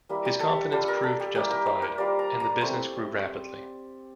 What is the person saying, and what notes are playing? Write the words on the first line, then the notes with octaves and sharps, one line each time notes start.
His confidence proved justified and the business grew rapidly.
G3 A#3 E4
G4
A4
G3 D4 F4 A4
A#4
A4
G4
G3 A#3 E4 G4
A#4
C5
A#4
G3 A#3 F4 D5
A#5
A#5
A3 C4 E4 C6